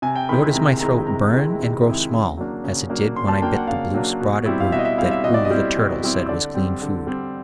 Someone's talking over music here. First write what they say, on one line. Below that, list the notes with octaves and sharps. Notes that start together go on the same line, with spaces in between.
Nor does my throat burn and grow small, as it did when I bit the blue-spotted root that Oo the Turtle said was clean food.
C3 G#5
G5
D#3 G#3 C4 E4 B5
B5
C3 A#5
D#3 G#3 C4 E4 A#5
C3 A#5
D#3 G#3 C4 E4
C3
D#3 G#3 C4 E4
C#3
F#3 A#3 D4
C#3
F#3 A#3 D4
C#3 C6
A5
F#3 A#3 D4 G5
F#5
C#3 F5
F#3 A#3 D4
B2
G3 C4 E4
F5
B2 E5
D#5
E5
G3 C4 E4 F5
E5
B2 D#5
D5
D#5
G3 C4 E4
B2
G3 C4 E4
D3 D5
G3 C4
D3
G3 C4